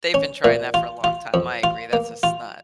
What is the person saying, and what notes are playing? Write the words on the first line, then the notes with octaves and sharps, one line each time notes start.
They've been trying that for a long time, I agree, that's a snot.
C#4
A#2
F4
F4
F2
F4
A#3
F4